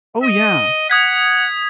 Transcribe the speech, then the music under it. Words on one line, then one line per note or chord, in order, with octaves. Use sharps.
Oh, yeah,
D#5
F#5 D#6 G#6 B6